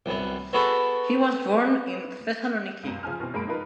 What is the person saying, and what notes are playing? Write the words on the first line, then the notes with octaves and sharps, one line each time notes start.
He was born in Thessaloniki.
C2 F#2 B3
B3 E4 F#4 G#4 A4 B4
C#2 F#2
C#3 F3 G#5 F6
B2 E3 C4
F#2 G#3 A#3 B5 D7
F3 D#4 F4 A#4 B4